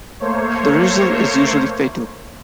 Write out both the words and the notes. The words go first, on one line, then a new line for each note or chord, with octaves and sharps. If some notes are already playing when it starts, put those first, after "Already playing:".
The result is usually fatal.
A3 A#3 C5 C#5